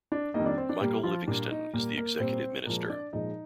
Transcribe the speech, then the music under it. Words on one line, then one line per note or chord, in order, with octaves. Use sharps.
Michael Livingston is the Executive Minister.
D4 D5
F2 D#3 G3 A#3 D#4 D#5
D4 D5
C4 C5
D4 D5
A#2 G3 A#3 G4
F3 F4
A#2 G3 A#3 D4
D#4
A#2 G3 A#3 A#4
A#3 A#4
A#2 G3 A#3 C4 C5
A#2 F3 G#3 A#3 A#4
D4 D5
A#2 F3 G#3 D#4 D#5